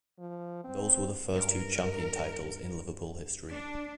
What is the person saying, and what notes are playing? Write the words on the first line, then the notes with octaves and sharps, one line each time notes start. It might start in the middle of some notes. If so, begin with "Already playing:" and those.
Those were the first two champion titles in Liverpool history.
F3
C4
G2 A#4
D4